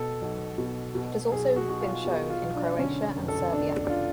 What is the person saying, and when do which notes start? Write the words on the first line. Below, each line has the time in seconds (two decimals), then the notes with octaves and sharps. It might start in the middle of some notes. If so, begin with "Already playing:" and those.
It has also been shown in Croatia and Serbia.
Already playing: B2 A4
0.22 B1
0.58 B2
0.95 B2
1.32 B1 G#4
1.56 F#4
1.68 B1 F#4
1.81 F4
2.05 B2 G#4
2.30 F4
2.42 B1
2.55 D4
2.79 D3 C#4
3.16 F1
3.28 A4
3.52 F1 D4
3.84 D4
3.89 F4